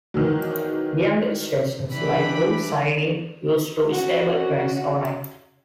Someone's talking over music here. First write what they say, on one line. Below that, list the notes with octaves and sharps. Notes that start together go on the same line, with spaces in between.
Beyond the station lie two sidings used to stable trains overnight.
D#3 E3 F#3
E3 G3 D4 B5
C#4 F#4